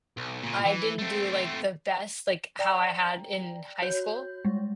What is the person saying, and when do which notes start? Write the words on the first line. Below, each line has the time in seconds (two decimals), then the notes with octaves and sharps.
I didn't do, like, the best like, how I had in high school
0.17 B1
0.43 A#2 C#3
0.65 E3
0.99 A3 C4
2.59 D5 G5 A#5
3.82 F#4 C#5 G6
4.45 G3 G#3